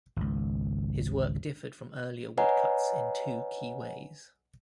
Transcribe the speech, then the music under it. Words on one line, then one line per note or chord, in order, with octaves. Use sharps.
His work differed from earlier woodcuts in two key ways.
G#1 C#2
B4 C#5 D#5 F#5 G#5 A#5